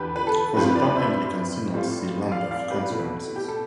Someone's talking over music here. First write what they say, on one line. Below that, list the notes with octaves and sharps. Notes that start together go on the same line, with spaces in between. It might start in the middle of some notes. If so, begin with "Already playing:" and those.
For the Pan-Anglican Synods see Lambeth Conferences.
Already playing: E2 D3 G4 B4
B4
A4
G2 F3 C4 F4 G4 B4
B4 D5
C5 E5
A2 G3 C4 F4
D5 F5
D5 F5
G4 B4
B2 A3 E4
G4
A4